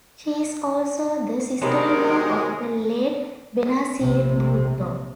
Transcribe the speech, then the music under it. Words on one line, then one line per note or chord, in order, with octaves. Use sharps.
She is also the sister-in-law of the late Benazir Bhutto.
C3 D#3 F#3 G#3 B3 G#4 A#4
A#1 C3